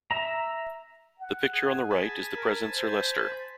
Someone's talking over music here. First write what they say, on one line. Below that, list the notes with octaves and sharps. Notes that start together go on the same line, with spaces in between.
The picture on the right is the present Sir Leicester.
E5 A#5
F#5
G#4
G#4 G#5 A5 B5
A#4
C5